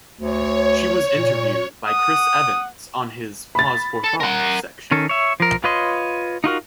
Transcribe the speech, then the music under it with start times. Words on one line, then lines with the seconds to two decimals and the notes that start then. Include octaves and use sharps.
She was interviewed by Chris Evans on his "Pause for Thought" section.
0.20 D2 C#5
1.13 A#2
1.87 F#5 D#6
3.55 B5 A6
4.04 A4
4.20 A#4 F#5
4.91 D#3 C#4 A4
5.09 C#5 E5
5.40 F3 A#4
5.64 F4 B4 C#5 D#5 C6
6.44 D#4 F4 F#4 A#4